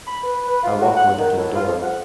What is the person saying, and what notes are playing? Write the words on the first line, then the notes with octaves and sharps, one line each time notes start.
I walked with her to the door.
B5
B4
B4
F4
F#4
F#5
D#3
A2
F4
F2
F#5